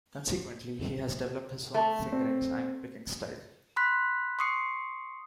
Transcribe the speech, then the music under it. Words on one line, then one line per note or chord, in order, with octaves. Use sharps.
Consequently, he has developed his own fingerings and picking style.
A3
C4
B5 C6 F#6 B6
C6 C#6 D#6 C7 C#7